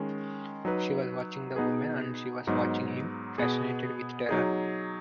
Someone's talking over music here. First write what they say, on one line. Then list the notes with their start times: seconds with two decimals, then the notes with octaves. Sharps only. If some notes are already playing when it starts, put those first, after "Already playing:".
She was watching the woman, and she was watching him fascinated with terror.
Already playing: D#3 G#3 C#4
0.65 F#3 D#4 B4
1.55 B2 B3 D#4 G#4 B4
2.47 G#2 F#3 B3 D#4
3.38 B2 B3 G#4
4.29 F#3 D#4 G#4